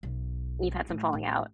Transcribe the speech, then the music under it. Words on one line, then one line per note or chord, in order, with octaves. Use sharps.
You've had some falling out.
B1
A2
A1